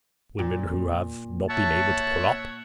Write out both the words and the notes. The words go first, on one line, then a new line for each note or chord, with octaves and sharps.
"The women who have--not been able to pull up?"
A#2
C#5 E5 F#5 A5